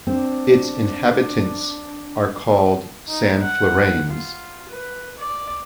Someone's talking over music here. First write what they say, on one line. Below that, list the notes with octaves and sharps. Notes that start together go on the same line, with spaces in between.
Its inhabitants are called "Sanflorains".
C4 D4
D#4
F#5
F4
B4
D5